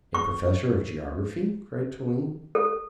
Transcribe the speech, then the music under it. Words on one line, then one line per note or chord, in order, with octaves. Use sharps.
"A professor of geography!" cried Toline.
C#6
A4